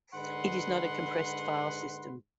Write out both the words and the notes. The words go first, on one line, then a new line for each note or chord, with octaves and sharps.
It is not a compressed file system.
G#2 D3 B4 F#5 B5 C6